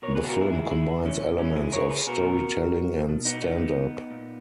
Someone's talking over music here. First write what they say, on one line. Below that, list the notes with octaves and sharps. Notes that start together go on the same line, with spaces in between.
The film combines elements of storytelling and stand-up.
B2 A#4 C#5
G#4 B4
F#4 A#4
E4 G#4
E4 G#4
E4 G#4
A#2 C#4 E4
C#4 E4
E4 G#4
A#4 C#5
G#4 B4
B2 F#4 A#4
B2
B3 D#4
B3 D#4
A#2